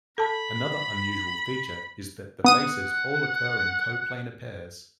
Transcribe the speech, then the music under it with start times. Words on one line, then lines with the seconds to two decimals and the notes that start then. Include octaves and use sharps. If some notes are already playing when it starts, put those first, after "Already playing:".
Another unusual feature is that the faces all occur in coplanar pairs.
0.18 A4 A5 B5
2.45 B3 F#5 D#6 D#7